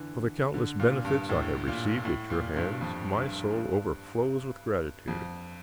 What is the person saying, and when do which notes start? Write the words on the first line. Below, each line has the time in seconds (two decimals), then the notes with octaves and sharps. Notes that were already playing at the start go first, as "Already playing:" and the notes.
For the countless benefits I have received at your hands, my soul overflows with gratitude.
Already playing: D3 E3
0.54 D3
0.80 A#2
1.05 G2
1.29 A2
1.67 A#2
2.05 A2
2.30 A#2
2.56 G2
2.81 F2
3.18 G2
3.57 G2
5.08 F2